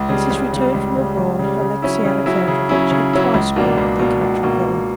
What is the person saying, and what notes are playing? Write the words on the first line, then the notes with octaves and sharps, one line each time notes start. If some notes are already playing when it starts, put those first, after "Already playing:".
Since his return from abroad Alexey Alexandrovitch had twice been at their country villa.
Already playing: C#2
C#3 G3
C#2
C#3 G3
C#2
C#3 G3
C#2
C#3 G3
C#3
F#3 C#4 E4
C#3
F#3 C#4 E4
C#3
F#3 C#4 E4
C#3
F#3 C#4 E4
C#2
B2 A#3 D4
C#2
B2 A#3 D4
C#2
B2 A#3 D4
C#2